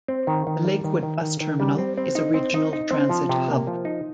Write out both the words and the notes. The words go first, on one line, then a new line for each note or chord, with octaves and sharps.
The Lakewood Bus Terminal is a regional transit hub.
C4
D#3
D#3
G3
D#3
D#3
D#3
D#3
G3
C4
C4
D#4
C4
D#4
D#4
C4
F3
C3
A#3
F3
D#4